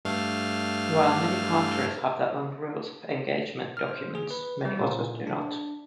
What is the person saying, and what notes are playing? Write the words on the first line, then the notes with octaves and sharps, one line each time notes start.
While many countries have their own rules of engagement documents, many others do not.
G2 A3 F5
F6
C5
G#4
B4
G3
A#2
D4